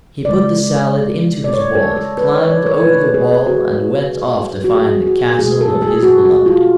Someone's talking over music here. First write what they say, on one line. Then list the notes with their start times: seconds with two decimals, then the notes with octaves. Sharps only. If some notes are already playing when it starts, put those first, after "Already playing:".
He put the salad into his wallet, climbed over the wall, and went off to find the castle of his beloved.
0.25 C#3 G#3 D5
1.44 D5
1.53 C#5
1.75 A4
1.97 A4
2.18 B4
2.34 C#5
2.50 D5
2.66 C#5
2.82 B2 A3 B4
3.14 G#4
3.47 F#4
4.64 F#4
4.75 G#4
5.07 F#4
5.39 B2 A3 G#4
5.61 A4
5.82 G#4
6.03 F#4
6.25 F#4
6.46 F4